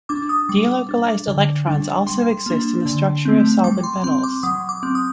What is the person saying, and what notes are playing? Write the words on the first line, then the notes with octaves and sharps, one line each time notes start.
Delocalized electrons also exist in the structure of solid metals.
D4 D6
D#6
G3 D6
D4
D3
G3 D4
G3 C6
A#3 D4
D3
A3 C4
G3 D6
C6
C4 C6
D6
F#3 D#6
D6
C4
D#6